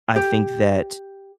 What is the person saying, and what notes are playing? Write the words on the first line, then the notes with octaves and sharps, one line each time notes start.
I think that
G4